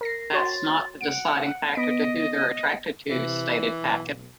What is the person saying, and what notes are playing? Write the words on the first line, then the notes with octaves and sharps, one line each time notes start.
That's not the deciding factor to who they're attracted to, stated Paquin.
A#4 A#6 C7
F#4 C#5 C6 A6
F#5 D7
B3 D#5 B6 D7
C3 E3
B1